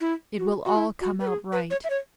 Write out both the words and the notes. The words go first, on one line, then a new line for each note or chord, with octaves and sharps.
It will all come out right.
E4
F#4
F#4
E4
F#4
B4
G#4
B4
C#5
E5
C#5